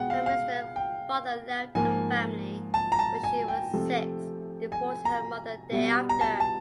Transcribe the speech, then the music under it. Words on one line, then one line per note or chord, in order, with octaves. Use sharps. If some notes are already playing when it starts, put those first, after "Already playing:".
Her minister father left the family when she was six, divorcing her mother thereafter.
Already playing: B2 G#3 B3 F#5 G5
F5
F5
G5
G#2 F3 A#3 G#5
A5
A#5
A5
G#5
G5
C3 F3 A3
G#5
A#5
B2 G3 B3
A#5
A5
A5